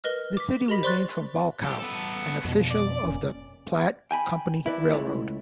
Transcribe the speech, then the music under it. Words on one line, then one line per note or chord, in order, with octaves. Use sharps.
The city was named for Bolckow, an official of the Platte Company Railroad.
A#4 B4 D#5 F6
D6 B6
G4 A#4 D#5 B5 B6
C5 D5 C6 C#6 F#6 A6
G4 A4
B3 A4
F2 B2
D5
F1 A#2 C#4
G5 G#5 B5
E4 B4 D5
C#2 A3 E4 C#5